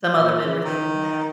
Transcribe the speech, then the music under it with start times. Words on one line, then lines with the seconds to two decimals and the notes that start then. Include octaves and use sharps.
some other memory that you have?
0.18 A#2
0.42 C#3
0.64 D#3